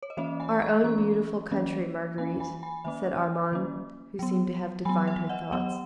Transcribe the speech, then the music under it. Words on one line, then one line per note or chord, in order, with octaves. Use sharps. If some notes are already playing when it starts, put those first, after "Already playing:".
"Our own beautiful country, Marguerite," said Armand, who seemed to have divined her thoughts.
C#5
D#5
E3 A#3 C#4 C#5 E5
G#5 B5
A#5 C#6
E3 A#3 C#4 A#5 C#6
E3 A#3 C#4
E3 A#3 C#4 G#5 B5
G#5 B5
G#5 B5
D#3 A#3 C#4 E5 G#5
D#3 A#3 C#4
F#3 B3
F#3 B3 G#5 B5
E5 G#5
D#5 F#5
F#3 B3 D#5 F#5